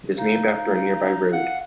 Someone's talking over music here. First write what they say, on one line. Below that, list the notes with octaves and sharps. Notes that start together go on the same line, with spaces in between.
It is named after a nearby road.
D#4 F5
F5 F#5